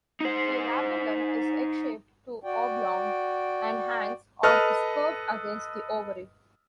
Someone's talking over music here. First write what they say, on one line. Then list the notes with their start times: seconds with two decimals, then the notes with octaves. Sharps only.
The labellum is egg-shaped to oblong and hangs or is curved against the ovary.
0.21 D#4 C5
2.43 F#4 D5 G5
4.43 A4 B4 D#5 F6